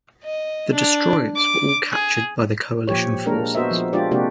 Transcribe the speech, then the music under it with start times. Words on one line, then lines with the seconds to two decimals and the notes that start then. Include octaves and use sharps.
The destroyers were all captured by the coalition forces.
0.24 D#5
0.73 D4
1.36 D6
1.93 G#4
2.88 A#2 F3 G4 C#5
3.26 G#3 A#3 D4 A#4
3.55 B3 F#4 A#4 C5 D#5 E5
3.71 F3
3.93 G#3 D4 F4 G4 D5
4.11 C3 G#3 A#3 D4 F#4 G4